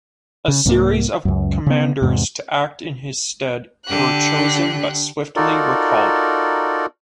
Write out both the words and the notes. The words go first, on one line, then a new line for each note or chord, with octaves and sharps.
A series of commanders to act in his stead were chosen but swiftly recalled.
C#3
C2 G#2 G3 A#3
C#2 F#2
C#3 B3
E2 G#2 C3
D3 G4 F#6
D#4 F4 F#4 A4 A#4 D5